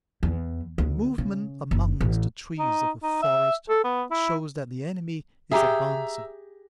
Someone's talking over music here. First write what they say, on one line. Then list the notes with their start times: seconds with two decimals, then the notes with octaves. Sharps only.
Movement amongst the trees of a forest shows that the enemy is advancing.
0.23 E2
0.78 D2
1.18 C#3
1.71 F#1
2.01 A1
2.59 D#4
3.03 D#4
3.22 E5
3.69 A4
3.84 B3
4.11 E4
5.52 G4 G#4 E5 A#5